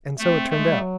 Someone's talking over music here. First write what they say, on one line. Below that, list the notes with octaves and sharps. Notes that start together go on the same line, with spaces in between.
And so it turned out.
A3 C4
A3
G#3
G3
F#3